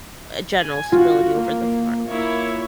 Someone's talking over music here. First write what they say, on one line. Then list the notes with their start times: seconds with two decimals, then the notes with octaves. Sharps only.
a general stability over the farm.
0.59 G#5
0.92 F4 F#4
1.35 A#3
2.08 A#3 E4 C#5